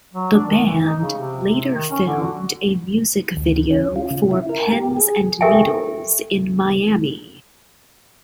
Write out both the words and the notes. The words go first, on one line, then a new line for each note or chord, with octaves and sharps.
The band later filmed a music video for "Pens and Needles" in Miami.
F#3
D4
D#3
E3
D#4
C#3
C3
C3
D#3
C#4
D3
F#4
D2
C#4
F4
C#3
E4
A#4
G4
G#4
G4 A4 A#4 E5 G5 G#5